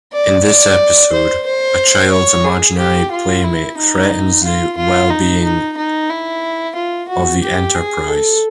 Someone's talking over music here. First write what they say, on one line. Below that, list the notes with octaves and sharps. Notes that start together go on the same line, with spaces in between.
In this episode, a child's imaginary playmate threatens the well-being of the "Enterprise".
D5
D5
C5
C5
C#5
G#4
G4
F4
E4
D#4
F4
F4
D#4
D#4
D#4
E4
F4
F#4
G4
G#4
A4